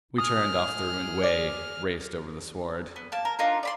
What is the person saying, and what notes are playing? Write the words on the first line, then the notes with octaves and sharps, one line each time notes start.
We turned off the ruined way; raced over the sward.
G#4 D#6 F6
D5
B3
A#3 A5
A#4
D4 D#4 F4 A#4
D5 B5 C6